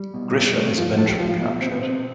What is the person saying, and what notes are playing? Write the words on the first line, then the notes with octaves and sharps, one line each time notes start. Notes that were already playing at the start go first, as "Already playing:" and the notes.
Grischa is eventually captured.
Already playing: G3
B2
B2
C3 A3
F3 F4
F3 A4
G4
F3 F4
F4
B2 F4
B2 C4
B3
B2 C4